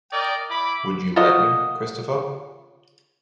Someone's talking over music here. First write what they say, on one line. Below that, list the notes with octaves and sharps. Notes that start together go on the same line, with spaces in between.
Would you let me, Christopher?
A#4 D5 D#5 G5
E4 B5 D6
F4 F#4 A#4 D#5